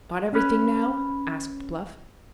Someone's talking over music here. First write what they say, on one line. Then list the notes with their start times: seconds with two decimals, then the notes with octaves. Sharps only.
"Got everything now?" asked Bluff.
0.33 C#4 B4